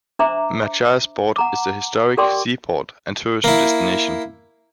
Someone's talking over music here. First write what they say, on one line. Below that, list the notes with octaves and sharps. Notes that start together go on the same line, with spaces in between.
Machiasport is a historic seaport and tourist destination.
D4 C5 E5 A#5 D6
F#5 A#5 D6
G4 A#4 D5 G5 C6 D6
A#3 E4